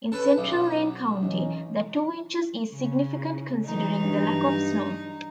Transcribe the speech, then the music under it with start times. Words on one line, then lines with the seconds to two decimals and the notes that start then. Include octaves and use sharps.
In central Lane County, that two inches is significant considering the lack of snow.
0.12 C#4 A4 B4
0.38 B1
1.23 E3 C#4 D#4
2.71 C#3
3.65 E3 F#3 D#4
4.04 G2